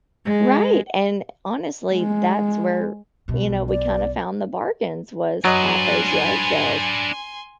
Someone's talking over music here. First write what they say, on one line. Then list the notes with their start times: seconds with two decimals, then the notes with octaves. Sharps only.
Right and honestly, that's where, you know, we kinda found the bargains was at those yard sales
0.25 G#3
1.93 G#3
3.28 B1 B2
3.69 D5
5.45 F#3 D4 B4 D#5 G#5 C6